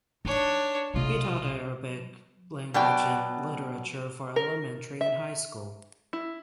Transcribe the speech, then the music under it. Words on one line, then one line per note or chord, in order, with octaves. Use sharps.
He taught Arabic language and literature for elementary and high school.
D4 D#4 C#5
B1 C3 F4 D#5
B2 F#3 D5 G5
A#4
E5
E4